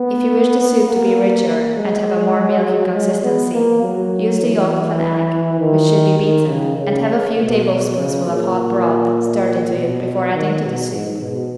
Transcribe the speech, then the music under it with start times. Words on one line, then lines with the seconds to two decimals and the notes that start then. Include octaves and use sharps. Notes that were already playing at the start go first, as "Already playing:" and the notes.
If you wish the soup to be richer and have a more milky consistency, use the yolk of an egg, which should be beaten, and have a few tablespoonfuls of hot broth stirred into it before adding to the soup.
Already playing: B3
0.87 A#3
1.45 A#3
1.75 G#3
2.63 F#3
2.93 G#3
3.23 B3
3.53 A#3
3.82 F#3
4.41 E3
5.59 D#3
6.19 D#3
6.48 C#3
6.77 C#3
7.37 B2
7.96 C#3
8.26 A#2
9.73 B2
10.33 D#3
10.63 B2
10.92 G#2
11.21 B2